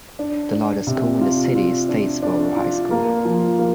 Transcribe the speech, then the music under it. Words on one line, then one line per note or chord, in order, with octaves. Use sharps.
The largest school in the city is Statesboro High School.
D4
D4
C3
F4
F4
D4
D4
F4
A#3
F3
A#3